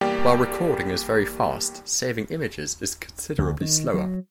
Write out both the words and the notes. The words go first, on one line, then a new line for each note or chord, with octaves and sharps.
While recording is very fast, saving images is considerably slower.
E2 G3 A#3 G4 D5 G5
D2
D#3
F#3